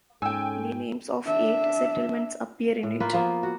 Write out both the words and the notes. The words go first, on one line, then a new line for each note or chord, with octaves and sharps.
The names of eight settlements appear in it.
G#2 C#4 A4 G5 G#5 E6
D4 E5
A2
A#3 F4 B4
F3 A#3 B3
F#4